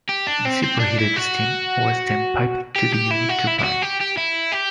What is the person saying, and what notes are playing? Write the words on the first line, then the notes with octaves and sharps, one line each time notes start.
The superheated steam was then piped to the unit turbine.
G4
D4
C4
C4
D4
E4
F#4
G4
G4
E4
F#4
E4
E4
F#4
G4
G4
E4
G4